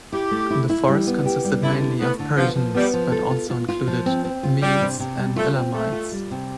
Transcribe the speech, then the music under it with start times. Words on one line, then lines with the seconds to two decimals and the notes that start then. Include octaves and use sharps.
The force consisted mainly of Persians, but also included Medes and Elamites.
0.12 E4 G4
0.31 A3
0.50 E4
0.69 E4
0.88 G3
1.07 B3
1.26 G4
1.45 G3
1.63 D3 E4
1.81 E4
2.00 A3 B3
2.19 D3
2.37 F3 B3
2.56 F3
2.74 G3 B3
2.94 F3
3.12 A4
3.31 F4
3.50 F4
3.68 F4
3.87 F3
4.06 C4
4.25 C4
4.43 F4
4.62 G3 D4
4.81 C3
5.00 C3
5.18 G3
5.36 A3 F4
5.55 C4
5.74 A3 A4
5.92 F4
6.12 G3
6.31 C3